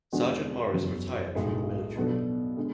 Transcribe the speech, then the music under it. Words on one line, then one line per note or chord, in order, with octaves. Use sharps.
Sergeant Morris retired from the military.
E2 D3 G#3 D4 F#4
F#1 E2 C#3 F#3
B1 A2 G#3
B2 F#3 B3 D4 A4
D3 G#3